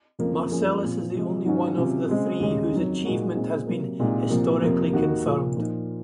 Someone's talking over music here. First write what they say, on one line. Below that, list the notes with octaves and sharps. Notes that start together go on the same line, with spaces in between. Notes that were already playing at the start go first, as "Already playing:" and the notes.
Marcellus is the only one of the three whose achievement has been historically confirmed.
F2 C#3 F3 A#3
F#2 F3 A#3 C#4 G#4
A#2 F3 C4
C3 F3 G#3
G#2 D#3 F#3 C#4 F#4
C3 F#3 C#4 F4
C#3 G#3 C4
D#2 C#3 G#3 C#4
F2 D#3 F#3
A#2 G#3 D#4 F#4 A#4
A#2 G#3 C4 D#4
C3 F#3 A#3
C2 A#2 G#3 D#4
C2 A#2 F3 A#3
F2 C3 F3 A#3
D#2 D#3 A#3 D#4 F#4
A#2 F3 A#3 F4
A#2 F3 A#3 D#4 A#4